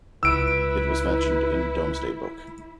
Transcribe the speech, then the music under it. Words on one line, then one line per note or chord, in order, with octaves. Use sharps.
It was mentioned in Domesday Book.
C#2 E4 B4 E6 D7